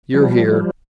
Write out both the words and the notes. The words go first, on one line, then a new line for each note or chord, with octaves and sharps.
You're here!
F3 G3